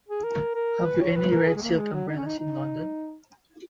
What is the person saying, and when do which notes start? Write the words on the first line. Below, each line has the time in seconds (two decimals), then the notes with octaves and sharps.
Have you any red silk umbrellas in London?
0.09 G#4
0.24 A#4
0.55 A#4
0.85 B4
1.01 C#5
1.16 B4
1.31 A#4
1.47 G#4
1.55 G#3
1.62 A#3
1.78 G#3
1.93 F#3
2.08 D#4
2.17 C#4
2.26 D#4
2.39 D#4